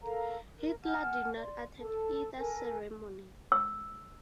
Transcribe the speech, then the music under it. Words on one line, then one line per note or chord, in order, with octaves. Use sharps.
Hitler did not attend either ceremony.
A4 A#4 F5 A#5
A#4
F#5 G#5 A5 F6
D5 C6
A4 A5
A4 A#4 G#5
E6